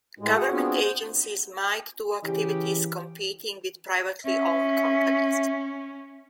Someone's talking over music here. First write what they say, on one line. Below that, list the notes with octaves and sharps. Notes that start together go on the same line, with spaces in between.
Government agencies might do activities competing with privately owned companies.
A2 G#3
F#4 G#4 F#5
B3 C4 D4 F4 F#4 G#4
C5
C#3 E3 G4
C#4 E5